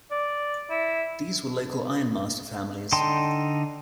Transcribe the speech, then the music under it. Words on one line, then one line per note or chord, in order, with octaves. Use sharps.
These were local ironmaster families.
D5
E4
D3 D#4 G5 A5 C6